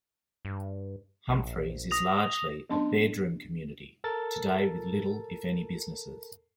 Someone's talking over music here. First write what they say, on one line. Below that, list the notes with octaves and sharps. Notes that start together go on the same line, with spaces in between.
Humphreys is largely a "bedroom community" today with little if any businesses.
G2
A#1
D#6 A#6 F7
F#3 B3 C#4 D4 A5 C6
A4 A#4 A6